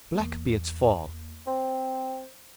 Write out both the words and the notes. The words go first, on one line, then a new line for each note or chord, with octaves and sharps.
Black be its fall!
E2 A#3
C4 C5